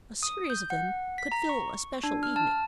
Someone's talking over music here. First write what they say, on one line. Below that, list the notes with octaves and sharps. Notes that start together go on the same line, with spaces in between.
A series of them could fill a special evening.
D#6
G6
F#5
B6
A#5
C#6
D4
F6
A5